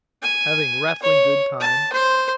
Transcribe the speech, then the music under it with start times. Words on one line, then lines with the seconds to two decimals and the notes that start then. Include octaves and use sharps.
Having rattling good time.
0.23 G#5
1.02 C#5
1.60 A5
1.93 C5